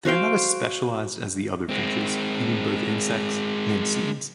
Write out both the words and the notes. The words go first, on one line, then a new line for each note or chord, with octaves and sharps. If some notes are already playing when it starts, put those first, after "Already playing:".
They are not as specialised as the other finches, eating both insects and seeds.
F#4 C5 F5 G5
G#3 C4